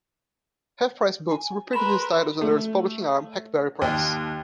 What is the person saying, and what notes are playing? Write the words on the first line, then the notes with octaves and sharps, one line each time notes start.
Half Price Books reprints these titles under its publishing arm, Hackberry Press.
G#5
A#4 B4 B5 C6 E7
A3
D#2